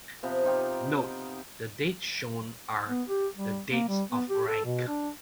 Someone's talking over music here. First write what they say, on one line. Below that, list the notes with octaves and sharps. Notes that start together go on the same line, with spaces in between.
Note - The dates shown are the dates of rank.
C3 F3 B3
D#4 F4 G4
B3
G4
G3
A#3
G3
B3
G4
A4
B2
D4